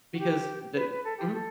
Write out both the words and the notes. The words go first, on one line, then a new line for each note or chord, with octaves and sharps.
because the mhm.
F#4
G4
B4
B4
A4
G4
A4